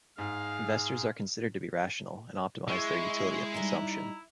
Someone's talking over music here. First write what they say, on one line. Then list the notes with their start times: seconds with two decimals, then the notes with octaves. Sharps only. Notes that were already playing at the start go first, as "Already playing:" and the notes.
Investors are considered to be rational and optimize their utility of consumption.
0.18 G#2 G#4 F5
2.69 G#3 E4 C#6
3.54 G3 D4 D#4 A#5